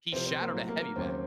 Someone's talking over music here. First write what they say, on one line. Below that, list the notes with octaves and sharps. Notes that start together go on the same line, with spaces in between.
He shattered a heavy bag.
C2 C3 F3 C4
C4
A#3
A2 F#3
A#3
A#3
D#2 C#3 F#3 C4